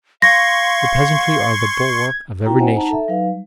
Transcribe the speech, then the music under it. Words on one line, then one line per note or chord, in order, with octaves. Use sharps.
The peasantry are the bulwarks of every nation.
F5 C6 C#6 G#6 A#6
C4 D#4 E4 F#4 G5 A#5
C5 D#5 F#5 G#5
D#4 F#5 A5 A#5
A4 E5
F#3 D#4 B4 F5
G3